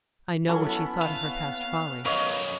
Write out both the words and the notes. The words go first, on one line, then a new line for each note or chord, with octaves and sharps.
I know what she thought of her past folly.
F#3 C#4 E4 A4
B3
F5
F#2 D#3 A#4 B4 C#5 D#5 F5